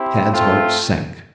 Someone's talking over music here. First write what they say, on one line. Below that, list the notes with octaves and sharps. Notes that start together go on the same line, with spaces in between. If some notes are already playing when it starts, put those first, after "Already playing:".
Tad's heart sank.
Already playing: C4 E4 G4
A3 C4 F4